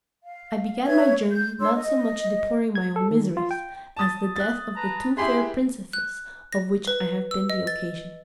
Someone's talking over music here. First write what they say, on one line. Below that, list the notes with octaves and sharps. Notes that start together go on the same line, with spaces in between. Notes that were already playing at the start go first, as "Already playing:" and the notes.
I began my journey, not so much deploring my own miseries, as the death of the two fair princesses, of which I have been the occasion.
F5
B4 C#5 E5 G#6
G6
D4 C#5 C6 E6
D#5
G#6
A4
D#3
F4
G5
A5 D#6 A6
F#6 A6
B4 A5 A#5
E4 G4 G#4 G#5 B5 C6
F#6
A#6
B4
E6
D#5
A6